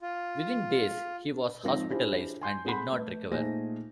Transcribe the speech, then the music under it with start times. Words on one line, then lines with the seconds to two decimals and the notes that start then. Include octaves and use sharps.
Within days, he was hospitalized, and did not recover.
0.01 F4
1.63 G#2 F3 C4 A#6
1.90 D4 E4 F4 G4 G#4 C5
2.42 G#5 C6 G6
2.65 C4 G#4 A4 F#5 B5 C6
2.92 A3 B4
3.31 A#2 A3 D#4 G#4 C5 A#6